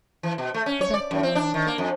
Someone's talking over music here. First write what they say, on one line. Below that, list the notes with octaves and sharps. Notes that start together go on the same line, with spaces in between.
The doctor laughed.
E3
B2
A3
C#4
C#5
D5
F#2
C4
D4
D#3
A#3
F2